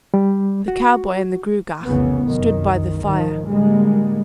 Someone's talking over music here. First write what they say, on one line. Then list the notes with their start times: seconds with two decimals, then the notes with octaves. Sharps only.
The cowboy and the Gruagach stood by the fire.
0.14 G3
0.68 F#4
1.86 F1 C2 C#3 E3 B3
2.25 C2 F#2 D#3
2.99 G#2 D#3 F3
3.44 A2 D3 G3 G#3 A#3